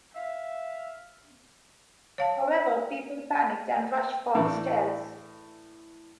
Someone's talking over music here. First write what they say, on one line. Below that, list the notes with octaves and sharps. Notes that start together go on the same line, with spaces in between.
However, people panicked and rushed for the stairs.
E5 F5
C#5 F5 A5
A2 E3 D4